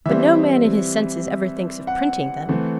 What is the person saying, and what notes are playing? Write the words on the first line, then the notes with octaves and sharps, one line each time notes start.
But no man in his senses ever thinks of printing them.
E3 G3 C4 E5
F#5
E3 A3 C4